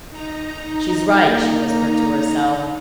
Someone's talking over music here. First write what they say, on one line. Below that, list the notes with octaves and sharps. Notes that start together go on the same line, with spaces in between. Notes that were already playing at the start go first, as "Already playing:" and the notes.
"She's right," she whispered to herself.
D#4 A#5
A#3